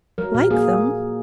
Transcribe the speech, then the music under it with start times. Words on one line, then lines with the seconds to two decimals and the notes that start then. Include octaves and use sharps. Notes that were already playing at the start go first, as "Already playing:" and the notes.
Like them!
0.18 F#3 A#4
0.35 A#2
0.50 A#3 G#4